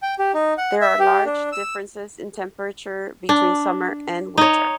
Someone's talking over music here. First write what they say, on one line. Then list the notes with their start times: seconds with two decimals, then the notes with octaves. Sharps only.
There are large differences in temperature between summer and winter.
0.02 G5
0.19 G4
0.34 D#4
0.58 F#5
0.81 E5
0.99 G4
1.25 D4
1.52 E6
3.29 D4
4.38 D#4 C#5